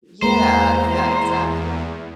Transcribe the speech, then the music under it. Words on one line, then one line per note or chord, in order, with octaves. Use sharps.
Yeah yeah, exactly,
E2 G#3 A#3 B4 C5 A#5